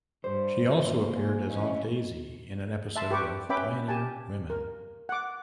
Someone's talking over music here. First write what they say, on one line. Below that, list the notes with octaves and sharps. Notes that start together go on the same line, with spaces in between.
She also appeared as Aunt Daisy in an episode of "Pioneer Women".
G2 C5 D5
G#2 F3 A#3 C#6
G#5
E3 C#4 D#4 F5
E5 A5 C6
G4 B4 C#6 D6
C#4 B4 E5 G5 B5 D6
G4 G#5 A5
A#4
F#5 D6